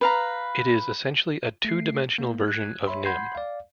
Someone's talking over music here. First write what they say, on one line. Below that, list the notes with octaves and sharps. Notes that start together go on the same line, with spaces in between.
It is essentially a two-dimensional version of Nim.
B4 F5 A#5
A3 C7
A#3
F#6 G#6
C#5 E5 B5 C6
F#5 B5 C6 G6 G#6 C7
D5 F5